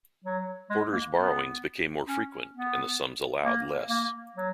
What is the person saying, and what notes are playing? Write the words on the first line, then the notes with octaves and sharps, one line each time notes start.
Porter's borrowings became more frequent, and the sums allowed less.
F#3
G#3
A#3
B3
C#4
B3
A#3
A#3
F#3